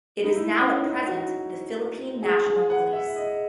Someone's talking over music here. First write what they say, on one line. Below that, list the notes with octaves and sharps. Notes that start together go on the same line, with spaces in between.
It is now at present, the Philippine National Police.
D#4
E4
C#4
D#4
F#4
G#4
G#4
F#5
E5
D#5